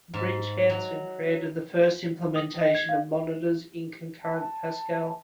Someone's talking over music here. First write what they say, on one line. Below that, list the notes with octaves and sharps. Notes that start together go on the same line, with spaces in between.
Brinch Hansen created the first implementation of monitors, in Concurrent Pascal.
G#2
F#3
D#6
D#5
G#6
F5
A5
A5